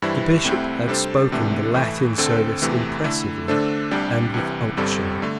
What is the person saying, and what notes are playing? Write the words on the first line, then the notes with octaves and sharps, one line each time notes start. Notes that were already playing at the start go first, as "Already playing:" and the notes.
The Bishop had spoken the Latin service impressively and with unction.
G2 E3 G3 E4 C5
C2 C3 A3 C4 E4
C3 G3 D4 A4 C5
C2 C3 E3 A3 D4
A2 E3 A3 E4
D2 D3 C4 A4
E2 C3 E3 A3
D3 A3 E4
D3 A3 D4 A4 C5
C2 C3 G3 D4 G4
C2 C3 E3
G1 G2 G3 C4 A4
D3 A3